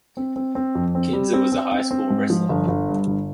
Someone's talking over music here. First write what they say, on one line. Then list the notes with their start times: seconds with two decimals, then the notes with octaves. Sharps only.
Kinser was a high school wrestler.
0.17 C4
0.36 C4
0.55 C4
0.75 F2
0.95 C4
1.13 G3
1.33 C4
1.52 C4
1.72 C4
1.91 C4
2.10 G#2
2.30 F3
2.49 G1
2.68 G1
2.89 G2
3.07 G1